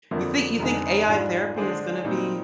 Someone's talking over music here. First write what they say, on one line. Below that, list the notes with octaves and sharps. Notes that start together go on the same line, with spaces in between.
You thi you think AI therapy is gonna be
G1 F2 D3 F3 A#3
F1 F2 D3 G#3 D#4
G#2 G3 D4 F4
D3 G#3 D4 G#4 C5
A#2 G3 C4 D#4